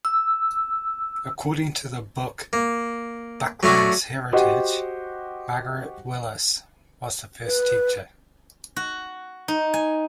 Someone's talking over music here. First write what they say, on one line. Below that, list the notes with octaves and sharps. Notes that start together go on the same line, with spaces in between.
According to the book, "Buckland's Heritage," Margaret Willis was the first teacher.
E6
A#3
F#3 A3 C#4 D4 F#4
F#4 G4 C5 D#5 F#5
B4
F#4
D#4
G#5